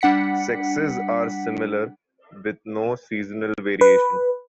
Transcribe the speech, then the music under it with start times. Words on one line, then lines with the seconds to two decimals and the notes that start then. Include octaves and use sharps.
Sexes are similar, with no seasonal variation.
0.01 G3 D4 F#5 B6 C#7
3.81 B4